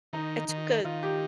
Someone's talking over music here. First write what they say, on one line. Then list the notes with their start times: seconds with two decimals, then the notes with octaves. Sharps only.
I took a
0.13 D#3 D#4
0.49 D#3
0.84 D#3 F4
1.03 G4